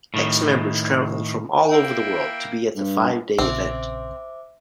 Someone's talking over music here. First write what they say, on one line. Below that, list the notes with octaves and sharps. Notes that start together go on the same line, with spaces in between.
Ex-members travelled from all over the world to be at the five-day event.
A2 D#3
A#3 E4 G5
G2
A#1 C#3 C4 C5 E5 D6